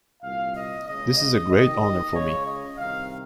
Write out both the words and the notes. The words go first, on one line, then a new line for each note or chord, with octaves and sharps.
This is a great honour for me.
C2 A#2 F5
D#5
C#2 C#3 D#5
D#5
D#2 D#3 D#5
D#5
C#2 C#3 C#5
D#5
C2 C3 D#3 F5